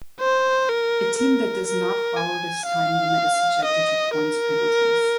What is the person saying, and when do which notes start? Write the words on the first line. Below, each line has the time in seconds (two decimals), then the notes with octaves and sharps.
A team that does not follow this time limit is subjected to points penalties.
0.21 C5
0.69 A#4
1.19 A#4
1.67 A#4
2.17 G#5
2.66 F5
3.64 D#5
4.14 A#4